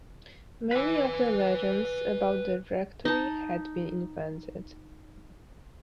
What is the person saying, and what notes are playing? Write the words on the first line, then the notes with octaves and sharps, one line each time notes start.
Many of the legends about the rectory had been invented.
B4 G#5
D#4 A5